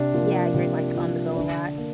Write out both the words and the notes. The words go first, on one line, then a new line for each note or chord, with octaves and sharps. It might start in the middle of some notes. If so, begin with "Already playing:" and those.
Yeah, you're, like, on-the-go a lot?
Already playing: C3 D4
F3 A#3
C3
F3 A#3
D3 D4
A#3